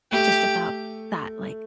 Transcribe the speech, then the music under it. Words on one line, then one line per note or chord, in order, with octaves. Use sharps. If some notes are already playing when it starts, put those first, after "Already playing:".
just about that, like
A3 G4